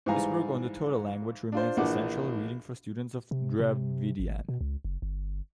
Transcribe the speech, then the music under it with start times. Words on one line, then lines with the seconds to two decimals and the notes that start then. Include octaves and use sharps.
His work on the Toda language remains essential reading for students of Dravidian.
0.06 G#2 E3 G3 F5 G#5 A#5
1.52 D4 F4 C5
1.77 A#1 E3 D4 F#5 D6
3.31 C3
3.59 C3
4.20 G#1
4.49 B2
4.61 C#2
4.85 F#1
5.02 G1